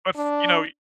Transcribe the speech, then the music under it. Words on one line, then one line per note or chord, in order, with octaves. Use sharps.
but f you know, y
D4